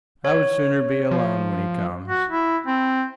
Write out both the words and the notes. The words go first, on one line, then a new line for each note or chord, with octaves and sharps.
I would sooner be alone when he comes.
C#5
F3
F#4
E4
C4